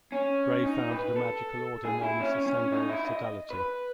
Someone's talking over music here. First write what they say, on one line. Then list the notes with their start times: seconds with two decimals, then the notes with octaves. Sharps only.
Gray founded a magical order known as the Sangreal Sodality.
0.12 C#4
0.65 D#4
0.90 B4
1.16 A4
1.85 G#4
2.03 E4
2.20 C#4
2.46 C#4
2.72 D#4
2.90 E4
3.07 D#5
3.51 B4